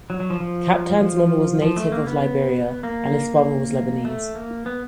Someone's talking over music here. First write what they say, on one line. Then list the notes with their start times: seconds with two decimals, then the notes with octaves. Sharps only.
Captan's mother was a native of Liberia and his father was Lebanese.
0.10 F#3
0.20 F#3
0.30 F3
0.40 F3
1.01 F3
1.62 F3
1.76 A3
1.92 A#3
2.07 B3
2.83 A#3
4.05 A3
4.35 A#3
4.66 B3